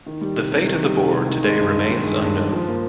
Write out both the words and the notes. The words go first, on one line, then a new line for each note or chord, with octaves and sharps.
The fate of the board today remains unknown.
D#3
G3
C3
C3
D#3
G3
C3
C3
D#3
G#3
G2
G2
D#3
G#3
G2
G2
F3
A#3